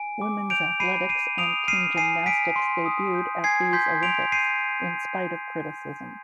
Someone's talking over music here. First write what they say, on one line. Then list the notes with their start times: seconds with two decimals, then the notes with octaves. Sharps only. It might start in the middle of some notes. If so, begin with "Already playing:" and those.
Women's athletics and team gymnastics debuted at these Olympics, in spite of criticism.
Already playing: G#5 D7
0.21 D6
0.50 G6 D7 F7
0.80 B5 C7 D#7
1.09 B5 C7 D#7
1.38 D#6 D7 F7
1.68 F6 C7 D#7
1.97 G#5 C7 D#7
2.26 G#5 B6 D7
2.56 C6
2.86 D#6
3.15 G6
3.44 G#5 G#6 C7
3.73 C6 G6 B6
4.02 C6 D7 F7
4.32 G6 C7 D#7